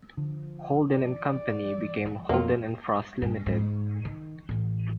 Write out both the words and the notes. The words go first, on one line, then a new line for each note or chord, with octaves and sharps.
Holden and Co became "Holden and Frost Ltd".
D3 F3
D5
F2 F#3 A#3 F4
G2
G#2
D#3
A1